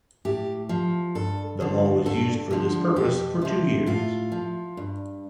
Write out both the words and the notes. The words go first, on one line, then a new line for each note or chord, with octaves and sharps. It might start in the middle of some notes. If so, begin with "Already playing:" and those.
The mall was used for this purpose for two years.
A2 G4
F3
G2 A4
D3 F3
G2 A4
D3 F3
F2 G4
C3 F3
A2 F4
F3
G2